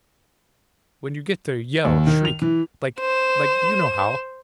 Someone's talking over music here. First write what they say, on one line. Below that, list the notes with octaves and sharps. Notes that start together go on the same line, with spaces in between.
When you get there, yell, shriek--like-- like--you know how!
D#2
D#3
F7
E3
C5 E7